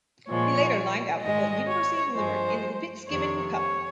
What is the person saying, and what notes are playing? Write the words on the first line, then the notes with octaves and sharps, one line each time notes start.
He later lined out with the University of Limerick in the Fitzgibbon Cup.
A#2 F3 G#3 C#5
G#2 D#3 G#3 D#5
C#5
G2 F3 G#3 C5
F2 C3 D#3 C#5
C#5